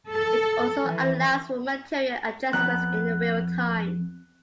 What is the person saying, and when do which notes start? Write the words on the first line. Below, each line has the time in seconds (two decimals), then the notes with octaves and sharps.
It also allows for material adjustments in a realtime.
0.11 A4
0.82 E3
2.53 F2 B3 A#5 F#6